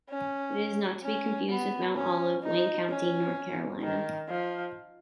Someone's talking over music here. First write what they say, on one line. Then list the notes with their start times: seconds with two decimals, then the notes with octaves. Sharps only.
It is not to be confused with Mount Olive, Wayne County, North Carolina.
0.10 C#4
1.03 C#4
1.49 B3
1.95 C#4
2.43 D#4
2.90 C#4
3.82 D#3
4.29 F3